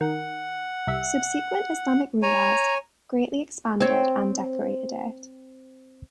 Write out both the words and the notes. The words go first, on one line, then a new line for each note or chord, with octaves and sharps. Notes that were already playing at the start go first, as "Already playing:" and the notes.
Subsequent Islamic rulers greatly expanded and decorated it.
D#3 F#5
C2 E5
C#5 G#5 A#5
C4 C#5